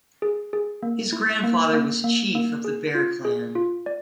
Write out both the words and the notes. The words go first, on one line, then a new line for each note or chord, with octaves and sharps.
His grandfather was Chief of the Bear Clan.
G#4
G#4
A#3
E4
A#3
A#3
A#3
A#3
G#4
F4
G#4
F4
D5